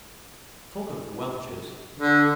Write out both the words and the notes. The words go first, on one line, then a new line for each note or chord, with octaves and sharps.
Talk of welchers!
D3